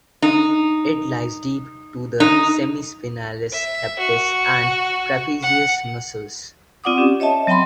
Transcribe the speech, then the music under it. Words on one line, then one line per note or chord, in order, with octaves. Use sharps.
It lies deep to the semispinalis capitis and trapezius muscles.
D#4
D#4
E5
F#4
F#5
C4 F4 D5 F#5 D6 D#6
C#4 G4
C#5 D#5 E5 A5
F#3 C4 G5 B5 C6